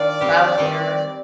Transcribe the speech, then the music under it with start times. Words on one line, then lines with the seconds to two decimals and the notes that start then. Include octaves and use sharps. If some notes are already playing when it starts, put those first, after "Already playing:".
Trial and error.
Already playing: D#3 D4 F4 D5
0.20 G3 C4 G4
0.58 D#3 G3 C4